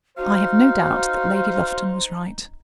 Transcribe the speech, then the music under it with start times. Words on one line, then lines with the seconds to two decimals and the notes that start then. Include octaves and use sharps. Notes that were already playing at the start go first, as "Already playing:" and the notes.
I have no doubt that Lady Lufton was right.
0.17 D#4 F#4 C5 F5